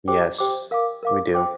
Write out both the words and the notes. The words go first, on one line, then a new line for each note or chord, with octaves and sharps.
Yes. We do.
G4 C5 G5 D6
G4 C5 G5 D6
A#4 F5 D6
A#4 F5 D6
C5 G5 D6